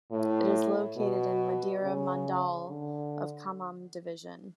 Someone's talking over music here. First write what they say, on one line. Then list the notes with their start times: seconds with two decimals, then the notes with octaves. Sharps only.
It is located in Madhira mandal of Khammam division.
0.11 A2
0.97 B2
1.83 C#3
2.69 D3